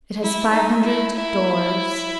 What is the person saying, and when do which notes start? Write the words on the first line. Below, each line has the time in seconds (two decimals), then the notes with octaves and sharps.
It has five hundred doors.
0.23 E4
0.52 D#4
0.84 E4
1.16 E4